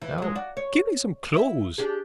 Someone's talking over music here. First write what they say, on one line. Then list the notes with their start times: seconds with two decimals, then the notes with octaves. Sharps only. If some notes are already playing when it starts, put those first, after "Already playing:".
Now, get me some clothes.
0.02 E3
0.18 F#3 G#3
0.35 F#4 D5
0.57 C#5
1.34 E4 E5
1.78 D4 G4 G#4